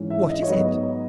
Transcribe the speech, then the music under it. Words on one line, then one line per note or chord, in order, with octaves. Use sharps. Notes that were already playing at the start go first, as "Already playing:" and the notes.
"What is it?"
Already playing: G#2 E3 G#3 C#4
E5
D#5
C#5
G#2 F#3 B3 D#5